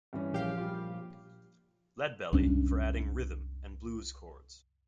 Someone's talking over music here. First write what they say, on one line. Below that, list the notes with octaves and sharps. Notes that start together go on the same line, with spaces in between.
Lead Belly, for adding rhythm and blues chords.
G2 E3 C#4
A#1 G4 F5
G3 F4
C2 F#2 C#4 D4